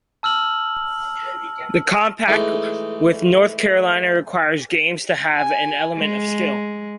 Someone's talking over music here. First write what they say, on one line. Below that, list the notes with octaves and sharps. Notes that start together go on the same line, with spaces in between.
The compact with North Carolina requires games to have an element of skill.
A5 E6 F6 F#7
E3 G#3 A3 D#4
G#5
G#3